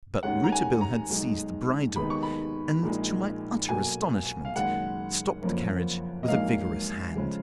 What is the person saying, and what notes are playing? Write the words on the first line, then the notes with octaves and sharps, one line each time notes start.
But Rouletabille had seized the bridle and, to my utter astonishment, stopped the carriage with a vigorous hand.
D#2 D#3 G#3 C#4 F#5
A#5
G#5
A#5
B1 B2 G#3 D#4
D#2 D#3 G#3 B3 D#4 B5
C#6
B5
A#1 A#2 G#3 D#4
B1 B2 A#3 G#5
F5
F#1 F#2 D#3 G#3 F#5
F#1 F2 F3 A#3 C#4
D#5
A#1 G#2 F#3 A#3 F5
C#3 F3 G#3